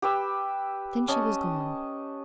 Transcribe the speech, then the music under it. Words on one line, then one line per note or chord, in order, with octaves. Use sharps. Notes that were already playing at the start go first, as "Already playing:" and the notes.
Then she was gone.
G4 B4 E6
C#4 D#5 A5